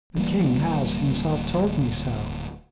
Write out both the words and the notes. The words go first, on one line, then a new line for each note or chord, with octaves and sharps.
"The king has himself told me so."
D1 E3 G3 A#3